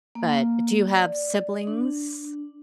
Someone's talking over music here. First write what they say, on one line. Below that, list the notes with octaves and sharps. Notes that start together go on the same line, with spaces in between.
But, do you have siblings?
A#3
D5
D4